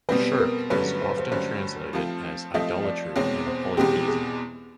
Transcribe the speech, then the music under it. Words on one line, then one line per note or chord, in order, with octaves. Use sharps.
"Shirk" is often translated as idolatry and polytheism.
B2 G3 C4 B4
A#4
G2 D3 F#3 A3 C#4 B4
C5
B4
C5
G2 D3 F#3 A3 C#4 C5
F3 A3 C4 F4 A4
F3 A3 C4 F4 A4 D#5
D5
E2 B2 G#3 C4 C#5
C5
E2 B2 G#3 C4 G4
G#4